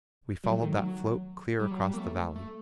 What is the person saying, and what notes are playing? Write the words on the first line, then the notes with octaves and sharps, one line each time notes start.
We followed that "float" clear across the valley.
F#3
A3
D#3
F#3
G3
F#3
G3
A#3
A3
A3